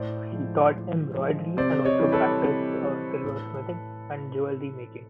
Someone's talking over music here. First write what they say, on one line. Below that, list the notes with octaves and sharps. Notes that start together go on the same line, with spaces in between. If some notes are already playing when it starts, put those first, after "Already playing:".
She taught embroidery and also practised silversmithing and jewellery making.
Already playing: A2 C5 D5
F3 G#3
A2
F3 G#3
C3 C5 D5
C#5 D#5
E3 G3
A4 B4
C3
E3 G3
A2